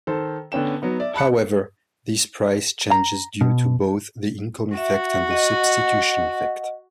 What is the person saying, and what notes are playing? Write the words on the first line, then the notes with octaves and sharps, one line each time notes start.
However, this price changes due to both the income effect and the substitution effect.
D#3 A4 C5
D3 B3 C#4 G5 E7
F#3 B3 D#4
D5 E5
A5 B5 F#6 C#7
A#5
B2
F#4 E5
D#5 F#5